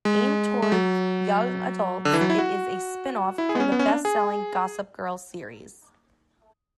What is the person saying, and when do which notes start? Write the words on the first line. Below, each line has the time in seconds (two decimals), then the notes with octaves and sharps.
Aimed toward young adults, it is a spin-off from the bestselling "Gossip Girl" series.
0.05 G#3
0.62 G#3
0.72 F#3
2.05 D3
2.13 E3
2.21 F#3
2.30 E4
2.38 F#4
3.38 E4
3.49 G#4
3.55 B3
3.60 C#4
3.72 B3
3.79 C#4
3.88 D4
4.05 G#4